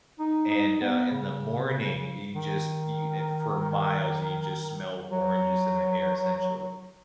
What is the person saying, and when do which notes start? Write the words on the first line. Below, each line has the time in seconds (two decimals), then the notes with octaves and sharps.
and, uh, in the morning, you just you if for miles, just smell oranges in the air essentially,
0.19 D#4
0.50 D#4
0.81 B3
1.11 C#3
2.35 D#3
5.11 F#3